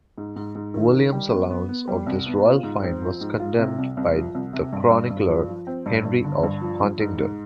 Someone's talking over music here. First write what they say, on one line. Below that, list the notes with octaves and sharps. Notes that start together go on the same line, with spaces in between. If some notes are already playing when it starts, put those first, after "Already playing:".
William's allowance of this royal fine was condemned by the chronicler Henry of Huntingdon.
G#2
G#2
G#2
D#3
D#3
G3
B3
B3
B3
G3
C2
B3
F4
G#2
C4
F3
G#2
F4
C3
C2
C2
F3
C2
C3
G2
G2
G2
F3
F3
C4
G2
G2
D3
G2
F3
G2
G#2
G#2